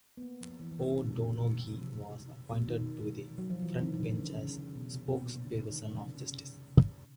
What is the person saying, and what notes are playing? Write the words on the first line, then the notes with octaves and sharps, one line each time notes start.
O'Donoghue was appointed to the front bench as spokesperson on Justice.
B3
A#3
F3
E3
E3
D#3
C#3
D3
B2
C3
B2
D#3
F#3
F3
E3
E3
D#3
D3
C#3
C#3
C#3
B2
C3
B2
A#2
B2
D3
C#3
D#3
C#3
C3
C#3
C3